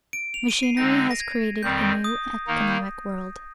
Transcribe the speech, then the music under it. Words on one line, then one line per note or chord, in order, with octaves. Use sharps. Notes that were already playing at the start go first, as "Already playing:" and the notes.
Machinery has created a new economic world.
D7
F7
D#7
C7
D3 G#3 C4 D#4 A#6
A#6
G#6
F2 D#3 G3 C4 G6
D#6
D#3 A#3 D#4